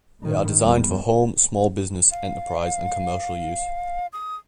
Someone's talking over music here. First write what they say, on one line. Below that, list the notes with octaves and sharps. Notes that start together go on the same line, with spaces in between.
They are designed for home, small business, enterprise and commercial use.
A2 D#3
E2 G3
F5
D#6